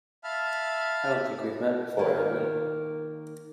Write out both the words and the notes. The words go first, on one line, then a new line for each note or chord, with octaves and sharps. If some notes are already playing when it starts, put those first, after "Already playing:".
I don't think we've met before, have we?
E5 F5 A5 B5 F6
D#3 A#3